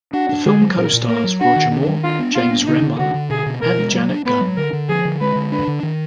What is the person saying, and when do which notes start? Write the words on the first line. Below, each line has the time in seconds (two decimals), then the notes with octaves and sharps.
The film co-stars Roger Moore, James Remar and Janet Gunn.
0.13 D4 F#4
0.29 D4
0.45 D3 G#4
0.61 F#3
0.77 A#2 A#4
0.93 A#2
1.08 A#3 A#4
1.24 F#3
1.40 D4 F#4
1.56 D#3
1.71 D4
1.87 D#3
2.04 D4 F4
2.19 B3
2.35 B3 F4
2.51 D4
2.67 D3 D#4
2.82 D3
2.99 D3 F#4
3.14 D3
3.30 B2 G#4
3.46 B2
3.61 B2 A#4
3.78 G#3
3.93 F#3
4.10 D4
4.25 B3 B4
4.41 F#3
4.57 D3 A#4
4.73 D3
4.89 F3 G#4
5.05 D3
5.20 G#3 B4
5.36 D3
5.52 D4 B4
5.68 D3
5.83 D#3